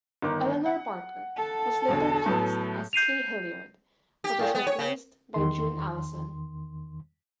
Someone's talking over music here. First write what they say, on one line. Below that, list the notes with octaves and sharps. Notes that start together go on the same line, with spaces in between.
Eleanor Parker was later cast as Kay Hilliard but was replaced by June Allyson.
G1 D#3 D6
F#5
A4 A5
B1 E2 D3
A2 F#3 B3
G6 C7 D#7 F7
G4
A2
B3
C#5
C#3
E2 D#3 C6